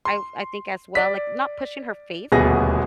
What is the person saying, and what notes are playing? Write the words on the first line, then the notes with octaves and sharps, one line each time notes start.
I've I think, as well, like, not pushing her faith,
C6
D5 B6
D#1 D2 B2 B3 G#4 A#6